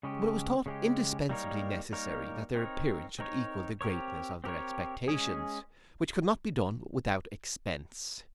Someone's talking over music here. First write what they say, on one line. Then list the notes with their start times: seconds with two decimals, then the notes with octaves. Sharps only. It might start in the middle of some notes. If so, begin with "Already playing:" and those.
But it was thought indispensably necessary that their appearance should equal the greatness of their expectations, which could not be done without expence.
0.03 C#3 G#3 C#4 G4
0.66 C#3 G#3 C#4 G4
1.29 G3 A#3 D#4 A#4 C#5
1.92 G3 A#3 D#4 A#4 C#5
2.55 C4 D#4 A#4 C#5
3.19 C4 D#4 A#4 C#5
3.81 C4 G4 A#4 C#5
4.44 C4 G4 A#4 C#5
5.08 G#3 C#4 G#4